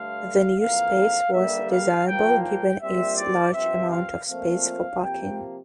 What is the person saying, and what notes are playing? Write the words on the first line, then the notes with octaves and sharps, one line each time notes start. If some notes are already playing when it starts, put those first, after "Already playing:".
The new space was desirable given its large amount of space for parking.
Already playing: G2 D3 A3 F5
F2 E3 A#3 F5
G2 D3 G3 A#3 E5
F5
A#2 F3 A#3 G5
G5
A#2 G3 C4 E5
D5
G2 F3 C4 E5
F5
A#2 F3 A3 C4 F5
C3 F3 A#3 G5